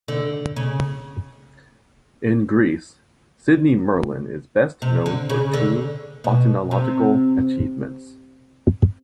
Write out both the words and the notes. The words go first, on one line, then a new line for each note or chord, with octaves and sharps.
In Greece, Sidney Merlin is best known for two botanological achievements.
D3
C#3
C3
D3
C#3
D3
B2
C3